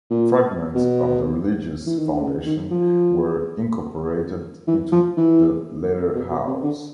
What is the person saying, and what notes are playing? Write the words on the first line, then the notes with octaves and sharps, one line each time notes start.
Fragments of the religious foundation were incorporated into the later house.
A#2
B2
E3
D#3
D3
C#3
D#3
F3
E3
F3
E3
B2
B2
C3
D3